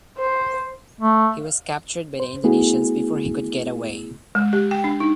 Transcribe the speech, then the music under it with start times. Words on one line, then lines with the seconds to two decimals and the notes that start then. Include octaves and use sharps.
He was captured by the Indonesians before he could get away.
0.18 C5
1.01 A3
2.20 C5
2.44 A3 B3 E4 F#4 G#4
4.35 G#3
4.53 G4
4.71 G5
4.84 D4
5.00 D#4